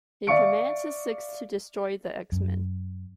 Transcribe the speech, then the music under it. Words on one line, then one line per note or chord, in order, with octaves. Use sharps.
He commands his Six to destroy the X-Men.
D5 E5 F5 C#6 C#7 D7
F#2